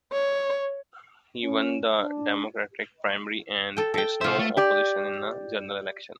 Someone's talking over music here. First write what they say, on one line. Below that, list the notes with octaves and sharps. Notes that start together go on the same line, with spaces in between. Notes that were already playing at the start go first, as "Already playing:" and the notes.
He won the Democratic primary and faced no opposition in the general election.
C#5
C#4
D4
A4 G5
A4 G5
C3 F4 C5 E5
A3
G4 D5